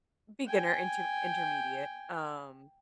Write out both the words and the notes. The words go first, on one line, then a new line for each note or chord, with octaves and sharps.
beginner inter intermediate, um,
G5 G#5